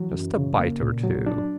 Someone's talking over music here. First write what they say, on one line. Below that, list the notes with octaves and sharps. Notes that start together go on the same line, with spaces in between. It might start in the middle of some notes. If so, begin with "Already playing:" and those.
Just a bite or two.
Already playing: E3 F#3
F#2
C#3
A#3
A#2
F#3
D4